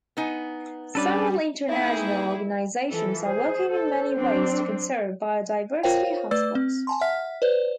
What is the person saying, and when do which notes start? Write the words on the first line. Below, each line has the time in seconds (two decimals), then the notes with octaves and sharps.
Several international organizations are working in many ways to conserve biodiversity hotspots.
0.17 B3 D#4 G#5
0.95 G3 C#4 D4 A4 B4 D5
1.69 A#3 C4 D#4 E4 G#4 B4 E5 F5
2.91 E3 F3 A4
3.25 G#4 C5
3.72 A4
4.16 F#3 C4 D4
5.83 F4 A#4 C5 C#5 F5 G5
6.31 A3 B4 D5 E6 A6
6.55 C4
6.87 G#5 A5 C6
7.01 E5 F#5 F6 B6
7.42 B4 C5 D5